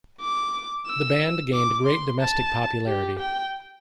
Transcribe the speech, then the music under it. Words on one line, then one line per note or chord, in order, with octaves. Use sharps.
The band gained great domestic popularity.
D6
E6
D6
C6
A5
G4
G5